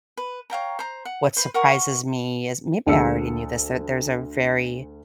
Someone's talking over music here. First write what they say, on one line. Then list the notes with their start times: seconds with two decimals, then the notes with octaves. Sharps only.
what surprises me is- maybe I already knew this- that there's a very,
0.17 B4
0.50 C#5 F5 G5 A#5
0.79 C5 A#5
1.05 F#5
1.37 B4 C5
1.54 A#4 F#5 C#6
2.86 D2 G#4 A5 E6 C#7